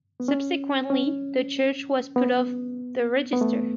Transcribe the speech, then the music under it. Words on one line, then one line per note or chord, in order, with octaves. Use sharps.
Subsequently, the Church was put off the register.
B3
C#4
C#4
B3
B3
A3